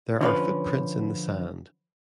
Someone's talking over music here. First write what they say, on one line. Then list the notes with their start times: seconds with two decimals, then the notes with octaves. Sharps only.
There are footprints in the sand.
0.21 D3 F3 C#4 B4